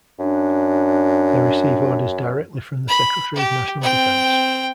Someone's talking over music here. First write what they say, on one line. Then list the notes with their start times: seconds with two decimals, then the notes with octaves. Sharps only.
They receive orders directly from the Secretary of National Defense.
0.19 F#2 D4
2.88 B5
3.35 G4
3.81 C4 G5